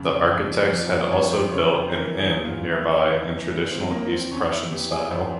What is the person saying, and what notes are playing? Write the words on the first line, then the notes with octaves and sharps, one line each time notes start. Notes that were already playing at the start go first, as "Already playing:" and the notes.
The architects had also built an inn nearby in traditional East Prussian style.
Already playing: F2 C#3
F2
F3
F2 C#5
C5
C#3 C#5
C5
E3 A#4
G#4
E2
F4
E2 E4
E3
E3
C4
E2 A#3
C4
E2 C#4
E4
E3 G4
G#4
F2 C5